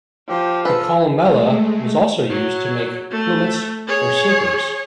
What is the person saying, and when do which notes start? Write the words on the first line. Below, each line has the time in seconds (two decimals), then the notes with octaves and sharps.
The columella was also used to make plummets or sinkers.
0.29 F3 G4
0.65 A4 B4
1.22 G#3 A3
2.30 F#3
3.11 A3
3.87 G#4 C#5